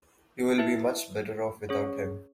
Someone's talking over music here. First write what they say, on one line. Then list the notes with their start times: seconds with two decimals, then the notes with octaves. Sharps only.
You will be much better off without him.
0.58 E4 B4 E5
1.69 C#4 G#4 C#5